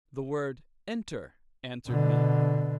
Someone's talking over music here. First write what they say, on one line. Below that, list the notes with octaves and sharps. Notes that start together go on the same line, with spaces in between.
The word "Enter!" answered me.
B2 D3